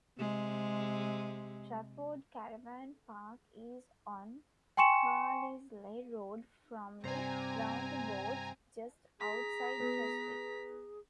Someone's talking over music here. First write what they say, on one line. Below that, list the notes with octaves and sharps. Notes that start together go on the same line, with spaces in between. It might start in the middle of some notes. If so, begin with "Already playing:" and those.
Trafford Caravan Park is on Carlisle Road from the roundabout just outside Keswick.
C3 G#3
G5 G#5 C6 C#6 C#7 E7
G2 C3 C4 C5 D5 G#5 A#5
G#4 A#5 B6
B3